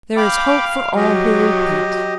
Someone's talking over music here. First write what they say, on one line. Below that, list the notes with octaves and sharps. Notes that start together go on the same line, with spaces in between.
There is hope for all who repent!'
F5 G5 B5 D6
F#3 G4 D#5